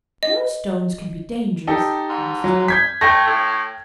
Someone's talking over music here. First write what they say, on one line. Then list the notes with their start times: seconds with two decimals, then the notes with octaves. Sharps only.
"No stones can be dangerous," said Mrs. Low.
0.23 D#5
1.67 D#4 G4 A4
2.09 G#2
2.44 F#3
2.68 G6 G#6 B6
3.01 A3 G5 G6 A#6
3.27 A2